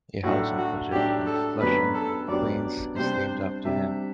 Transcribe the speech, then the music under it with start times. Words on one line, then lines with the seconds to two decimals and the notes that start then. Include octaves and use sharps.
A housing project in Flushing, Queens, is named after him.
0.23 A2 F#3 A3 D4 F#4
0.58 F#4
0.91 A2 F#3 A3 D4 G4
1.27 A4
1.60 F#2 F#3 B3 D4 G4 B4
1.95 A4
2.28 F#2 F#3 B3 D4 G4 D5
2.97 C3 G3 D4 C5
3.65 C3 G3 D4 E5